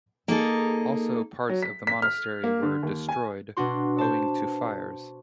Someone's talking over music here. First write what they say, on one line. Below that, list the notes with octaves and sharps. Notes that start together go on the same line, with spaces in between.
Also parts of the monastery were destroyed owing to fires.
A#3 D#4 G#4 A4
F#3
B6
B6
F6
A#3
D3
D#2
G#5
B2 D4 F#4 C6
C5 A5